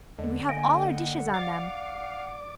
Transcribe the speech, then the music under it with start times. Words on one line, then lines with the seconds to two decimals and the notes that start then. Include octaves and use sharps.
And we have all our dishes on them.
0.18 E2 D3 G#3
0.49 A#3 D#5 G5 G#5
0.89 F#5
1.34 D5 F5 D6